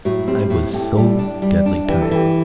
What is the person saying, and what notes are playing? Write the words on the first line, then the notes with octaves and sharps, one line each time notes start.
I was so deadly tired.
A2 F#3
G3 C4
A2
A2 G4
G3
D4
G3
D4
E3 G4
A4
E3 G4